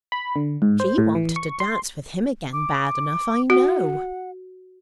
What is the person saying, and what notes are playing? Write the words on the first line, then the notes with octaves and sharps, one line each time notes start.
She wanted to dance with him again bad enough, I know.
B5
D3
G#2
C5
A2
E3
C#6
C6
D6
F#4 F#5